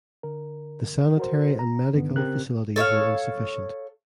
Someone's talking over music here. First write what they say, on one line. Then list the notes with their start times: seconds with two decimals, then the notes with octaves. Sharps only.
The sanitary and medical facilities were insufficient.
0.23 D3 A#4
1.17 F#4 A#4 C5
1.59 A#5
1.94 G2 D3 D#3 B3
2.16 C#3 C4 G4 A#4 F#6
2.76 A4 C#5 E5 F5